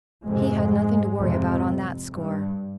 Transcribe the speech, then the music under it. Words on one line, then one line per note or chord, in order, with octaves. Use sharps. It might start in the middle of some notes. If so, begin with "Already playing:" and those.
He had nothing to worry about on that score.
F2 G#2 C3 G#3
F2 C3
G2